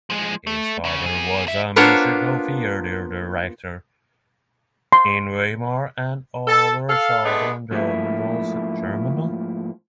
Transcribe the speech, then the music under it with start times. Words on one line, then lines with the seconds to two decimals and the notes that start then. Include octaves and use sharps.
His father was a musical theatre director in Weimar and other Southern German centers.
0.10 F3 G#3
0.47 A3
0.84 D2 C#3
1.06 B3 G#4
1.47 D2 E5
1.76 A#3 B3 D4 F4 C5 C#5
4.93 C6
6.47 A4
6.89 A4 F5
7.25 G#3 A3 B3 D4
7.71 G#2 F3 A3 A#3 E4